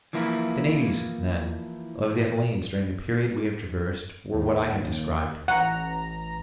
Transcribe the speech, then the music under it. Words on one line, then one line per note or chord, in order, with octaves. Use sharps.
The navies, then, of the Hellenes during the period we have traversed were what I have described.
E3 F3 A#3 E4
D#2
A1 F#5 A#5